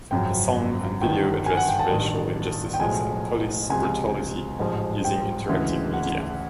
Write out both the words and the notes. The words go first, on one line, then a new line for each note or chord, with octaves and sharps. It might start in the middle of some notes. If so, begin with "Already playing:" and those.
The song and video addressed racial injustices and police brutality using interactive media.
G#1 F#2 C#3 F3 G5
G1 G2 D#3 G5
G#5
F#5
G5
A5
A1 G2 D#3
G5
B1 A2 F3 G#3 G#5
C#2 C3 F3 G#3 G#5
A1 G#2 F3 G#3
G5
D2 C#3 E3 G#3
F#5